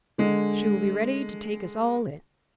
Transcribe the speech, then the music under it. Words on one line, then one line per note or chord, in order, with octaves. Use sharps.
She will be ready to take us all in.
D3 G#3